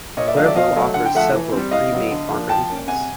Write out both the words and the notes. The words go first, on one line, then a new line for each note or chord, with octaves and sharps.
Cuervo offers several pre-made margaritas.
A#2 C#5 D#5
D5 E5
F#3 A3 D#5 F5
D5 E5
B2 D#5 F5
F#3 A3
D3 F#5
G5
F3 A3 E5 F#5
E3
C4
G3
A2 D#5 F5
F#3 B3
D3
F3 A#3 D4
F3 G5 A5
A#3 C#4
C3 F#5 G#5